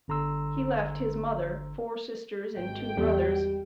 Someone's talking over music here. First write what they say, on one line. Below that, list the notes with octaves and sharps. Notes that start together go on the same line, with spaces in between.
He left his mother, four sisters and two brothers.
G1 D3 A#5 C6 E6
G#1 G5
E2 G3